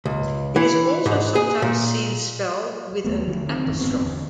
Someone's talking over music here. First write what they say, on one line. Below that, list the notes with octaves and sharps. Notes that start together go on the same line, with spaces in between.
It is also sometimes seen spelled with an apostrophe.
C#2
E3
G#2
G#4
A#2
D#2 A3 B3
D3 F3
D#3 C4
A1 F2 D3 D#3
F#1 G#2 B3 C4
E2 D3